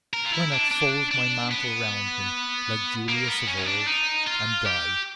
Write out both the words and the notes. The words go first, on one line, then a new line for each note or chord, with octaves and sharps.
Why not fold my mantle round me, like Julius of old, and die!'
A#4
F4
E4
D4
D4
D4
B3
A#3
B3
C#4
D#4
D4
D#4
F4
G4